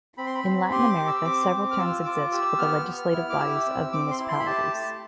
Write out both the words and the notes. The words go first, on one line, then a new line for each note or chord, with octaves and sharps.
In Latin America several terms exist for the legislative bodies of municipalities.
C4 B5
C6
B5
C4
G4 C6
D6
G4
E6
C4 D6
C4
F6
F4 E6
F4 D6
G4 E6
B3 F6
B3
E4
D6
G4 E6
C4
C4 D6
C6
E4
C6
B5
G4 A5
A3